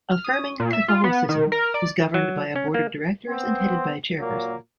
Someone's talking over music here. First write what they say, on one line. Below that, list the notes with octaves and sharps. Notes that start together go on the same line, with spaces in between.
Affirming Catholicism is governed by a board of directors and headed by a chairperson.
F6
D#6
A#2
E5
F4
B3
D#3
A#4
D5
F#3
C#4
A#3
B3 C4
A#2 F#3 A#3